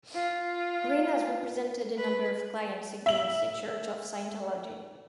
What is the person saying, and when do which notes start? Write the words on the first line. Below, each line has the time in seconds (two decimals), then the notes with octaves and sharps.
Greene has represented a number of clients against the Church of Scientology.
0.14 F4
1.97 B4
3.06 E5 F#7